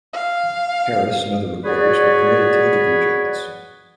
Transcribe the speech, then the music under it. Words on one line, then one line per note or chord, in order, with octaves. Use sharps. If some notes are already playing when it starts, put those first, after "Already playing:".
Harris and other reporters were permitted to interview Jones.
F5
F#4 G#4 B4 C#5 D5